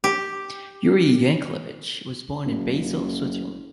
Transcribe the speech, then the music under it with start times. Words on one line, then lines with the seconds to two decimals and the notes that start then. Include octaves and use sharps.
Yuri Yankelevich was born in Basel, Switzerland.
0.04 G4
2.45 F#1